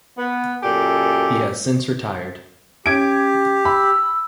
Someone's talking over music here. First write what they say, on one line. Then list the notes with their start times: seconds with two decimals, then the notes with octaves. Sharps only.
He has since retired.
0.18 B3
0.63 F#2 A#2 G4 A4 G#5
2.86 C#4 G4 G#6 D7
3.65 B5 E6